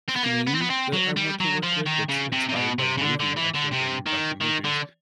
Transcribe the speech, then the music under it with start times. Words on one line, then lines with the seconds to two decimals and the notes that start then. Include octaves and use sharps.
theme that I want to work with that's inspired by a movie actually bringing back to movies,
0.09 C4
0.16 B3
0.24 A#3
0.47 B3
0.55 C4
0.62 B3
0.70 C4
0.93 F#3
1.16 G3
1.40 F#3
1.63 F3
1.86 D#3
2.09 C#3
2.32 C3
2.49 C3
2.55 B2
2.79 C3
2.98 C#3
3.01 D3
3.20 D3
3.36 E3
3.54 D3
3.71 C3
4.06 D#3
4.41 D#3
4.65 D3